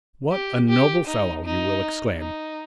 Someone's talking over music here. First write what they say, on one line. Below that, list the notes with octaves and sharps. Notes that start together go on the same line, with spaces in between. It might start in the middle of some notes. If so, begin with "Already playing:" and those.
"What a noble fellow!" you will exclaim.
G4
G4
D#4
D#4
D#4